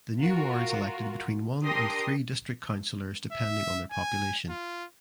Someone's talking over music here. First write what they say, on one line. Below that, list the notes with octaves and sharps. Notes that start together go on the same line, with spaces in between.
The new wards elected between one and three district councillors depending on their population.
F4 F#4 A#4
D4 G4 A#4 C6 D#6 A#6
E5
G#5
F4